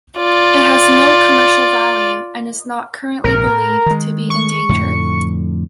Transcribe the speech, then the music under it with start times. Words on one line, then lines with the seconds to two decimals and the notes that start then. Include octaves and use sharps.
It has no commercial value, and is not currently believed to be endangered.
0.18 F4 D5
3.24 A#1 G#2 C3 A#4
3.47 A2
3.86 D#3 G#3
4.30 C#6
4.69 F2 A2 D3